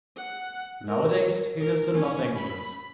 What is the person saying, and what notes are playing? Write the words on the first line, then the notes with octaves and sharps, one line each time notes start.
Nowadays he lives in Los Angeles.
F#5
A#4
A#4
C#4
B5